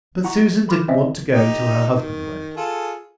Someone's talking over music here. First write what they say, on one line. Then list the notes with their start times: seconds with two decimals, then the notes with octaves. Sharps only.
But Susan didn't want to go till her husband went.
0.24 E4 F#5 A#5 C#6
0.68 A4 B5 C6 D6 F6
0.88 C4 C#4 C5 D#5 E5
1.33 D#4 G4
1.95 D#3
2.57 F4 G#4 A4